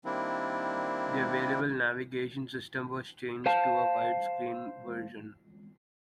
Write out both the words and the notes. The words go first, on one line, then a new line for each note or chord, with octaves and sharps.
The available navigation system was changed to a wide screen version.
D#3 G3 A#3 C4 D4 E4
C5 F5 A5